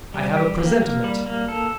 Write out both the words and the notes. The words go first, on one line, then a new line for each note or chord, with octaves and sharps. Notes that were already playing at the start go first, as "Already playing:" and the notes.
I have a presentiment.
G3
G4
A#3
A#3
G3
A#3
A4